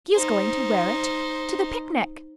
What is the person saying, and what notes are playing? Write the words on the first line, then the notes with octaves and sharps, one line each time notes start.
She is going to wear it to the picnic.
D#4 C5